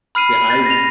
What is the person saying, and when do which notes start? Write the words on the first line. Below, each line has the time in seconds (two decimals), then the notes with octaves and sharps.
See I
0.15 B5 F6 C7 D#7
0.50 A6
0.66 A#6 F7